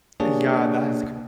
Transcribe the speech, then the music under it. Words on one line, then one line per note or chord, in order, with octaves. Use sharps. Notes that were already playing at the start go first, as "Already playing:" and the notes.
Yeah, that is c
A#3 D4 G4 G#4 C#5 D5